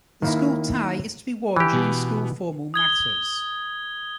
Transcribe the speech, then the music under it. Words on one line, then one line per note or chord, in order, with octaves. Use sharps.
The school tie is to be worn during school formal matters.
D#3 A#3 E4
E3 G4
B2
D#6 G#6 G7